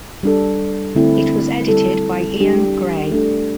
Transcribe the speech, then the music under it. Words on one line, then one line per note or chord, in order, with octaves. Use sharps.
It was edited by Ian Gray.
G3 D4 A4
D3 A3 C4 E4
G3 E4 A4
G3 D4 G4
A3 D4 A4